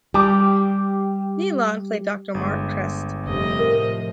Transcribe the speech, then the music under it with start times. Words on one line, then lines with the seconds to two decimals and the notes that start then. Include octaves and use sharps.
Nealon played Doctor Mark Crest.
0.14 G3 G4
2.34 G1 G#3
3.25 F1 G2 C3 D#5
3.59 A2 F3 A#4